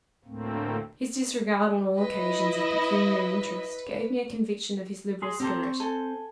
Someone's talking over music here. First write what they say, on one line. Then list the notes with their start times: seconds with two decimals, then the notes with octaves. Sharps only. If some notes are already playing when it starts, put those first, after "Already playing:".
His disregard, on all occasions, of pecuniary interest, gave me a conviction of his liberal spirit.
0.25 D2 A2 A3 A#3 C4
1.98 E4 B4 D#5
5.22 G#4 C6
5.40 C4 G4 A4 C5 A#5
5.63 C#6
5.80 A4 G#5 A5